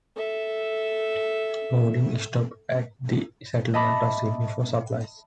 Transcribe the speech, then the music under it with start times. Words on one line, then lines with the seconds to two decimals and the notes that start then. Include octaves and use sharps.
Baudin stopped at the settlement of Sydney for supplies.
0.16 A4 E5
3.74 D#5 E5 A5 B5 D6